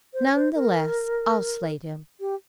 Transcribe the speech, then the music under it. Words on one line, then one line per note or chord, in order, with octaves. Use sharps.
None the less I'll slate him.
C5
C5
A#4
G4